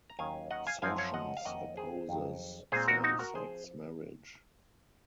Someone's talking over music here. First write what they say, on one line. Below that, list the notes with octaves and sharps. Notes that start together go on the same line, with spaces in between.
Sessions opposes same-sex marriage.
A#5
D#2 D#3 F#3 C#4 F5 G#5
D#5 F#5
F5 G#5
F#2 F3 C4 F5 G#5
C#5 F5
D#5 F#5
F5
F2 D#3 A#3 C#4 D#5 F#5
G#4 C5
F2 D#3 F#3
A#2 G#3 C4 G#4 C5
F#4 A#4
D#4 F#4
F#4 A#4
F3 C4 G#4 C5